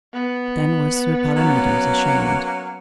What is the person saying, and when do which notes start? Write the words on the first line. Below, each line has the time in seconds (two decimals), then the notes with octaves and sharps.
Then was Sir Palomides ashamed.
0.14 B3
1.35 F#3 A#3 C#4